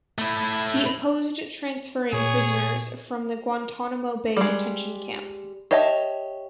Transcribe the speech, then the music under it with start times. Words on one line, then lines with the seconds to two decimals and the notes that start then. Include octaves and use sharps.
He opposed transferring prisoners from the Guantanamo Bay detention camp.
0.18 A3 E4
2.13 A#2 G#4 C#5
4.37 G3 G#3
5.71 G4 C#5 D#5 E5 A5